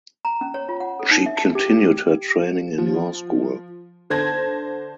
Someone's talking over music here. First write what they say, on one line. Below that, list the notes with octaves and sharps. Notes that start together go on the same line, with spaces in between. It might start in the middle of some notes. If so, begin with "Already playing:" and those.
She continued her training in law school.
A#5
C#4
C#5
F4
F#5
A4
D#4
E5
A5
G4
F3
D3 C5 A5 G#6 A#6